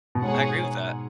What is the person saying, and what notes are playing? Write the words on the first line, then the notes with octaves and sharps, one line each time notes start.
I agree with that.
B2
G#2 G#4 C#5 F#5